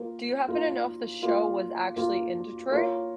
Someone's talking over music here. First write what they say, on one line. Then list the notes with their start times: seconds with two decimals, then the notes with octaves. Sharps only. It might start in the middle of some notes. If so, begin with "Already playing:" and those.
Do you happen to know if the show was actually in Detroit?
Already playing: A#3 F4 A#4
0.48 A#3 F4 A#4
1.22 A#3 F4 A#4
1.96 A#3 F4 A#4
2.71 A#3 F4 A#4 C#5